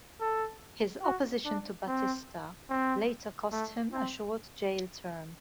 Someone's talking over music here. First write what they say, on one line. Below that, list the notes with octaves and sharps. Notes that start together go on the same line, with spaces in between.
His opposition to Batista later cost him a short jail term.
A4
F#4
D4
C4
C4
A3
C4